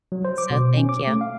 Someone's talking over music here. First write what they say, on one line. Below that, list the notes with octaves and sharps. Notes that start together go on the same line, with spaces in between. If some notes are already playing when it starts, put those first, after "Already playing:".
so thank you.
F#3
C5
D6
B2
C#4
D6
A3
F5